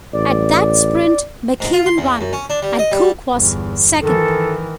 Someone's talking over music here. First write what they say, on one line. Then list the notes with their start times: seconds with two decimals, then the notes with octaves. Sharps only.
At that sprint McEwen won and Cooke was second.
0.13 A1 D5
1.60 G#2
1.73 F4
1.86 C6
1.98 E2
2.21 F#2
2.33 C#4
2.50 D4
2.63 G3
2.79 D#5
2.92 G3
3.33 G1 E2
4.01 D#3 E3 A4